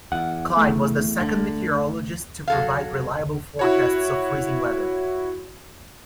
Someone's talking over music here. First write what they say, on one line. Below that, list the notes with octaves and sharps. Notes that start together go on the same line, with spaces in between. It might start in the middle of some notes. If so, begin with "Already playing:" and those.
Cline was the second meteorologist to provide reliable forecasts of freezing weather.
E2 F#5
A3
D3
F#3 A4 F5
E4 F#4 C#5